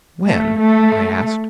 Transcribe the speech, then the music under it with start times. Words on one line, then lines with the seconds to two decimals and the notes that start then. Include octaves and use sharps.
"When?" I asked.
0.25 A3
0.59 A3